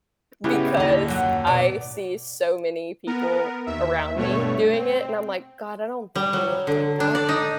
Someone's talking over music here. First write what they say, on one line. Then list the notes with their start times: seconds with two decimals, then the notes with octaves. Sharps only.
because I see so many people around me doing it, and I'm like, "God, I don't think we looked like that."
0.44 C#3 B3 E4 G4
0.77 D#2 D3 D#5
1.08 F#2 F#3
1.47 B2 D5
3.07 B3 A#4
3.66 D#2 E5
4.15 G2 B2 A3 C#5
4.73 C4
6.15 G3
6.33 F#3
6.67 D3
7.00 D4
7.15 D5
7.29 D#4